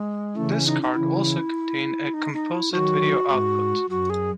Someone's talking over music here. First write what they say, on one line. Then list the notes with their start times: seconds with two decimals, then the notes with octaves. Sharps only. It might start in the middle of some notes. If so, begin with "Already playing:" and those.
This card also contained a composite video output.
Already playing: G#3
0.36 C#3 E3 A3
0.52 C#4
0.67 D#4
0.82 D#4
0.95 C#3 E3 E4
2.14 D#4
2.34 D#4
2.52 E4
2.72 D#3 F#3 F#4
3.31 G#2
3.90 F#2 F#4
4.10 G#4